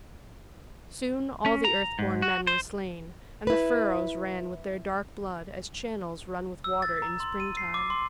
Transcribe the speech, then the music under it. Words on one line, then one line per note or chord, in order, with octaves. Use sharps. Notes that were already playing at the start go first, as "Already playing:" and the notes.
Soon all the Earth-born Men were slain, and the furrows ran with their dark blood as channels run with water in springtime.
C#4
A#5
G#2
F#4
C5
E4 B4
E6
A6
A#5
C6
D#7
C7
D6
C6